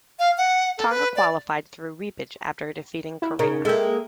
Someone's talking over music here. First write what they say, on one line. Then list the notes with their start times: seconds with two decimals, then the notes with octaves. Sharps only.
Tonga qualified through repechage after defeating Korea.
0.19 F5
0.38 F#5
0.78 A4
0.90 B4
1.16 D5
3.22 E4
3.39 C#3 D#4 A#4
3.65 G#3 A#3 A4 E5 G5